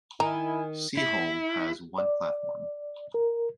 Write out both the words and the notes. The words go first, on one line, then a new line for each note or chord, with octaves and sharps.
Seaholme has one platform.
D#3 E4 G#5 A#5
E4
D5
A#4